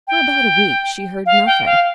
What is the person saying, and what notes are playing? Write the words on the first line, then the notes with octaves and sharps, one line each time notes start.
For about a week she heard nothing.
G5
F5
G5
F5